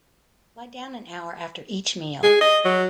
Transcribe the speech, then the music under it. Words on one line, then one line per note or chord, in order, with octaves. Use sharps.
Lie down an hour after each meal.
G#4
D#5
F#3